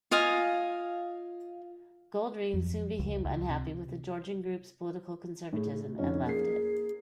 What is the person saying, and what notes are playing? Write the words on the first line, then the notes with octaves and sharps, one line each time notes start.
Goldring soon became unhappy with the Georgian Group's political conservatism and left it.
F4 D#5 F5 G#5
F2
C#2
C#2
C3
A2 G#4
F2 C#4 D#4
A#3 G#4 C7